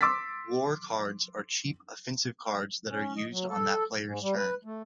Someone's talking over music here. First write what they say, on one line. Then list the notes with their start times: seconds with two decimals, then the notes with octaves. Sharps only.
War cards are cheap offensive cards that are used on that player's turn.
0.01 C6 D6 E6 A6 B6
2.90 C#4
3.16 D#5
3.30 F#3
3.49 A4
4.04 G#2
4.22 G3
4.36 B4
4.65 A3